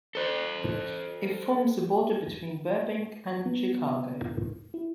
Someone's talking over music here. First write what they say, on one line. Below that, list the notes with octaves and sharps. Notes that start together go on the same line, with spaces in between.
It forms the border between Burbank and Chicago.
A4 C5
B3
E4